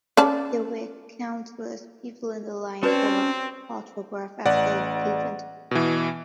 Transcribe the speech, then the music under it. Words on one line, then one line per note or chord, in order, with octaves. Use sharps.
There were countless people in line for her autograph after the event.
C#4 D5 A5
C4 C#4 F#4 B4 D5 A5
A1 D5 F#5
B2 E3